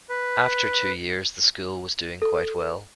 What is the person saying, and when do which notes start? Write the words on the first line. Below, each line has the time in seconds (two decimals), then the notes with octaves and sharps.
After two years the school was doing quite well.
0.10 B4
2.22 A4